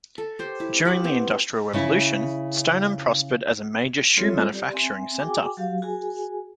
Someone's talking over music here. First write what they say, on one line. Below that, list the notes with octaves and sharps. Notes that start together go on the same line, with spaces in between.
During the Industrial Revolution, Stoneham prospered as a major shoe-manufacturing center.
A4
G4 C5
E4
G4 F#5
B3 C4
C#3 C#4 E4
G3 C4 F4 A4 C#5 E5
G4 D5
C4 E5 G#5
F#4 G#4 G5 G#5 D6
F#3 F#4 G4 F5
F#4 G#4 G#5